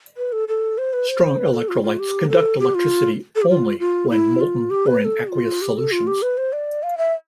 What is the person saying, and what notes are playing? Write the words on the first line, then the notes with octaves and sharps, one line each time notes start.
Strong electrolytes conduct electricity "only" when molten or in aqueous solutions.
B4
A4
A4
C5
B4
C5
B4
A4
F4
F4
G4
A4
G4
F4
A4
G4
F4
F4
E4
F4
G4
B4
B4
A4
F4
G4
A4
F4
G4
B4
C5
D5
F5
E5